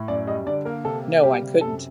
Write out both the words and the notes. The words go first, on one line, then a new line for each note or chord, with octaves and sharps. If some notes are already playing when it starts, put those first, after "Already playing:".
No, I couldn't.
Already playing: A2
F#2 D5
G3 D#5
D3 D5
A#3 A#4
C3 A4
A#3
G3 G4
C3
F#2 A4